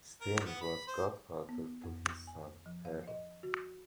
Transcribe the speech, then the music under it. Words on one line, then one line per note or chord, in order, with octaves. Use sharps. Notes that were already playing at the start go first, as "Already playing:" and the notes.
Steiner was godfather to his son Harald.
A#4
B3
B5
C5
B3
F2
G#5
F3
F5
D#5
F#4